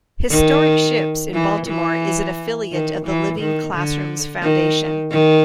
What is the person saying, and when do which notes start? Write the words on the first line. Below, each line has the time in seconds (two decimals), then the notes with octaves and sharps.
Historic Ships in Baltimore is an affiliate of the Living Classrooms Foundation.
0.29 D#3
1.34 E3
1.67 E3
2.71 D#3
3.06 E3
3.39 D#3
3.74 D3
4.42 D#3
5.11 D#3